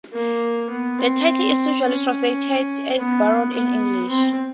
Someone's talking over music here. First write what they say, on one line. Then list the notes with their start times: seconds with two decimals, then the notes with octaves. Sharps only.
The title is usually translated as "Baron" in English.
0.13 A#3
0.69 B3
0.98 C4
1.83 C#4
2.96 B3
3.53 B3
4.09 C4